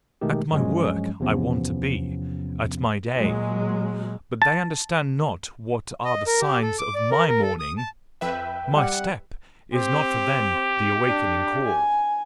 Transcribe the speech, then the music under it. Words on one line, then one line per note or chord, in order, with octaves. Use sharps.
At my work I want to be, at my day: but they understand not what are the signs of my morning, my step--is not for them the awakening-call.
B2 D#3 G#3 A3 G4
G2 F3 F#3 G#3 C#4
E2 C3 F3 B3 C#4
A#2 F#3 G#3
A5
D#5
A#4
G4
A4
D6
D5
A#4
A#4
A4
D#6
A5
F2 B4 E5 G5
G3 F#5
C4 G4
D4
G#5